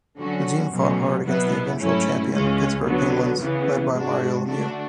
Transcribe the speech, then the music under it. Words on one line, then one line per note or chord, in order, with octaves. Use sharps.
The team fought hard against the eventual champion Pittsburgh Penguins, led by Mario Lemieux.
D3 F#3 C#4 F#4
B2 F#3 A3 C#4
B2 F#3 B3 E4
G#2 F#3 A3 C#4 E4
C#2 C#3 G#3 C#4
D3 F#3 B3
C#3 E3 B3
G#2 G#3 D4 F#4
D3 A3 D4 F#4